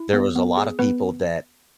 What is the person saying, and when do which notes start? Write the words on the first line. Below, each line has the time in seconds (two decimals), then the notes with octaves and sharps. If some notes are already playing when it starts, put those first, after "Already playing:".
there was a lot of people that
Already playing: E4
0.13 B3
0.36 B3
0.57 G#4
0.79 B3 B4